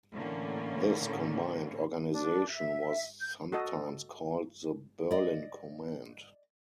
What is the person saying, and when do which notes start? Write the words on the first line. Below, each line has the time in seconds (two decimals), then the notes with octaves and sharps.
This combined organization was sometimes called the "Berlin Command".
0.13 A2 D3 E3 A#3 C#4
2.12 D4
2.49 E5
3.21 G6
3.52 F#4 A4 D#5
5.11 D5 D#5